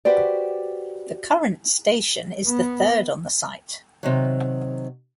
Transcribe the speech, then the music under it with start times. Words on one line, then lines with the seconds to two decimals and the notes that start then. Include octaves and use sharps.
The current station is the third on the site.
0.05 F#4 G4 B4 C5 D5
2.47 B3
4.03 C3 D#3 F#3